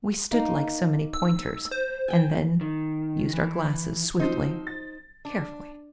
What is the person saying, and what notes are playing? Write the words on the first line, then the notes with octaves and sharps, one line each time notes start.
We stood like so many pointers, and then used our glasses, swiftly, carefully.
A#3 D#4
E6
C5
G5 G#5
D#3
E3
F3 F#3 C4 D#4 C5
A6
D4